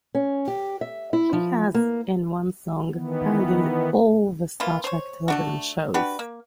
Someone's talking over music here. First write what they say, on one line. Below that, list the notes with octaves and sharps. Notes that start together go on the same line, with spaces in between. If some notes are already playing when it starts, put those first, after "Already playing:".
He has, in one song, parodied "all" the Star Trek television shows.
C#4
G4
E5
E4
F3
A#3
D#3 E3 B3
E3 A#3 E4 F4
C5 C#5
A3 D4 F#4
D4 F#4 G4 B4
A#3